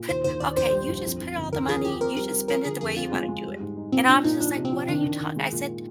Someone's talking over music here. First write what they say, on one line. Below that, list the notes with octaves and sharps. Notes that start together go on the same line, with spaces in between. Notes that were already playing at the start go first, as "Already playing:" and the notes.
put okay you just put all the money, you just spend it the way you want to do it. And I was just like, what are you talk I said,
Already playing: A#2
D#2 C5
D#2 C5
D#2 D5
A#1 C5
G3
A#1
F2
F2
G1
D#2 A#4
F3 G#4
F3 G4
C4 A#4
G3 A#4
G3
F3 A#4
D3 G#4
F2 G#4
C4 F4
G#3
G#3
G3
G#2
D#4
A#2 C4
A#2 D4
A#2 D#4
F3 D4
C3
C4
F3
D#3 D4
D#3
D#3
G#3
A#2